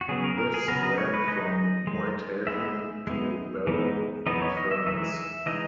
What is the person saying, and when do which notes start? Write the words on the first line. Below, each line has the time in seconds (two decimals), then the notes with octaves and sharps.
This ran from Whitehaven to Barrow in Furness.
0.01 F#4
0.08 C#3 F#3 B3 G#4
0.24 A#4
0.38 A#4
0.54 G#4
0.68 C#3 F#3 B3 A#4
0.83 D#5
0.98 C#5
1.14 B4
1.28 G#3 D#4 D#5
1.87 G#3 D#4
2.47 G#3 B3 D#4 E5
3.07 G#3 B3 D#4
3.67 E3 B3 D#4
4.27 E3 B3 D#4 D#5
4.42 C#5
4.57 D#5
4.71 E5
4.87 E3 G#3 D#4 E5
5.17 E5
5.46 E3 G#3 D#4 D#5